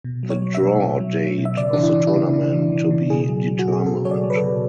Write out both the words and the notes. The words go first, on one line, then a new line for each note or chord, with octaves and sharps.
The draw date of the tournament to be determined.
B2
F#3
C#5
F#3
E5
B2
B2
F#3
F#3
B2
E5
C#3 D5
E3 D4
E4
E3
E4
C#3
C#3
E3
E3
C#3
B2 G#4
F#3
F#3
F#4
B2
G#4
B2 A4
F#3 C#5
D5
F#3
B4
A4
B2